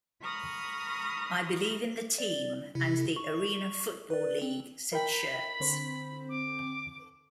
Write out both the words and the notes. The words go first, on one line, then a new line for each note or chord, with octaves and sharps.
I believe in the team and the Arena Football League, said Shurts.
A#5 B5 C#6 D#6 F6
D5
C3 E4
C#6
B4 D5
C4
A#4 G5 B5
D3 C4 C5
D6